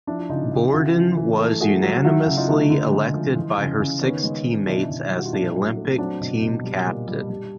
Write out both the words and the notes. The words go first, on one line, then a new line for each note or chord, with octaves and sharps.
Borden was unanimously elected by her six teammates as the Olympic team captain.
F3 D4 E4
E4
C#3 D#4 F4
C#3
C#3 E4 F#4
E3
E3
A3
A3 F#4 G#4
F#3
F#3 E4 F#4
C#3
D#4 F4
A3
D3
G#3
F3
E3
C#3
C#3
D#3 B3 C#4
G#3
D#3
B2 D4 E4
B2
G3
F#4
F4
A#2 D4 E4
F#3
A3
F#3 C4 D4
B2
B2
G3
A#2
G3
G3